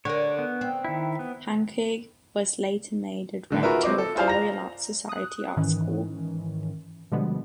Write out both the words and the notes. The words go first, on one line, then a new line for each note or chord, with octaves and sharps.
Hanke was later made a director of the Royal Art Society art school.
D3 A#4 C#5
B3
C4
D#3 E4
B3
A2 D3 D#3
F4 F#4 G#4 A#4 B4 E5
F#3 C4 C5 D#5 D6
A4
E4 F4 G#4 C5 D5 F5
A#5 A#6 F7
D#6 F#6
G#2 D#3 E3 C#4
B2 D3 F3 G3 G#3 B3